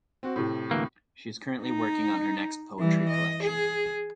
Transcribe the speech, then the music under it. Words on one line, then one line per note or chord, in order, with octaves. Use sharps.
She is currently working on her next poetry collection.
C4 F#4
A2 C3
D2 E3 A#3
D#4
E3 G3
D#5
G#4